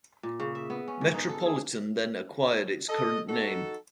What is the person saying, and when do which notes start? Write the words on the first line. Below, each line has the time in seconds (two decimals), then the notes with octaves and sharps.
Metropolitan then acquired its current name.
0.23 A#2
0.40 C#3
0.55 E5
0.70 B3
0.88 C#4
1.01 G#2
1.14 D#4
1.29 A4
1.46 G#4
2.88 A4 D#5
3.27 D#4 F#4 A4